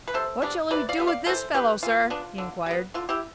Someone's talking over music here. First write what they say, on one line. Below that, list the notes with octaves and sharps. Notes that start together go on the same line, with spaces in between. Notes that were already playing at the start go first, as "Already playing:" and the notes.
"What shall we do with this fellow, sir?" he enquired.
B4
C3 A4 C5
G3 B3 D4
C3 B4 D5
D5 F5
G3 B3 D4
D5 F5
E3 A4 C5
B3 D4 G4 B4
E3 F4
B3 D4
D3
G3 B3
D3 F4
E4 G4